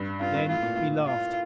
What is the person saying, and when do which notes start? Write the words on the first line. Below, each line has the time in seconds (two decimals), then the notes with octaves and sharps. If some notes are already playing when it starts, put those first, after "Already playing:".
Then he laughed.
Already playing: G2
0.21 G2 F4
0.34 G2
0.49 A2 F4
0.63 A#2
0.77 A2
1.06 F4